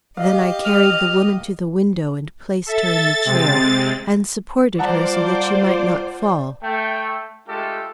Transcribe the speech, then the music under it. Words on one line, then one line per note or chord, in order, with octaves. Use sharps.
Then I carried the woman to the window and placed her in the chair, and supported her so that she might not fall.
G4 D#5 F5
F6
A4 E5 A6
C3 G#3 C4
G3 F4 C5 D5 F#5 A5 A#5 D6
A3 G5
G#3 A3 D4 F4 G4 A4